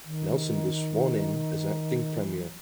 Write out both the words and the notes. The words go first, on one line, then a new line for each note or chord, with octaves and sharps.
Nelson was sworn in as acting premier.
D#3
E3
F#3